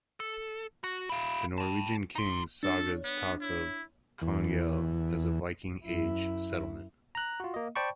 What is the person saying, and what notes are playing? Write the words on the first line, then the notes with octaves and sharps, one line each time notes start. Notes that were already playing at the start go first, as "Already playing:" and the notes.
The Norwegian Kings' sagas talk of Konghelle as a Viking Age settlement.
A4
F#4
E4 F5
G5 A5
D#4 C6
D4 A4 C#5
B3
E4
E2
F#2 E4
A#5 F#6
F4 F#4
A#3 D#5
C5 D5 G5 A5 B5 C#6